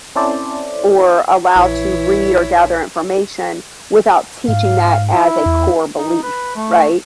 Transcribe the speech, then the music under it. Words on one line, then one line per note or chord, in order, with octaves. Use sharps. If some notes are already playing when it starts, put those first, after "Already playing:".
or allow to read or gather information without teaching that as a core belief right?
C4 C#4 E4 A4 C5 D5
A#1 E3 E4 C#5
G#2 F5
E4
E2
D#4
B4
A3